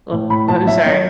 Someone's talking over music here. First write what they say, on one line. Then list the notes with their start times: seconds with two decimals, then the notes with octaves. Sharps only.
oh, I'm sorry,
0.12 A2
0.30 A2 B5
0.48 A2 A5
0.67 F#3 E5
0.85 F#3 C#5